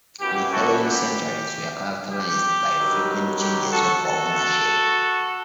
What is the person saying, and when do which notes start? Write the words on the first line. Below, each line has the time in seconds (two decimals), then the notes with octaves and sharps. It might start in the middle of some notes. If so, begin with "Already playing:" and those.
The following centuries were characterized by frequent changes of ownership.
0.20 F#2 F#3 B3 E4 G4
0.53 F#4 A4
0.84 G4
2.13 G4
2.76 G2 D#3 F#3
3.40 G4
3.71 F#4 A4
4.03 F#4 A4